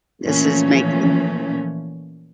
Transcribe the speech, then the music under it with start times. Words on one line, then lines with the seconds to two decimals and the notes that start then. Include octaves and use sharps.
this is making
0.25 A#2 E3 F3 A3 C#4